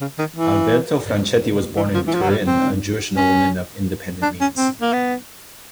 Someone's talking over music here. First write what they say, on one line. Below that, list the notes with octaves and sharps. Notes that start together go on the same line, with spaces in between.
Alberto Franchetti was born in Turin, a Jewish nobleman of independent means.
C#3
D#3
E3
E3
F3
E3
F3
F#3
G3
C4
C#4
D4
C#4
C4
A#3
B3